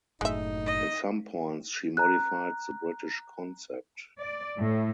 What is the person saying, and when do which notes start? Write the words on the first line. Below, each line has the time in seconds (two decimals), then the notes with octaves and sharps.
In some points she modified the British concept.
0.21 F#1 A2 G#3 D#4 E5
0.66 D#5
1.97 A#5 F#6
4.20 D5
4.57 A2